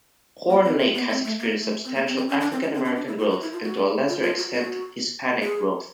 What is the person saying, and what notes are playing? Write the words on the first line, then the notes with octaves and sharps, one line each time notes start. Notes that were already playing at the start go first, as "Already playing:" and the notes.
Horn Lake has experienced substantial African-American growth and to a lesser extent Hispanic growth.
A#3
C4
C4
B3
C4
A3
A#3
A3
C4
A#3
C4
C4
C#4
D4
C4
C#4
C4
C#4
D4
E4
F4
F#4
E4
F4
F#4
F4
F4
F#4
F#4
G#4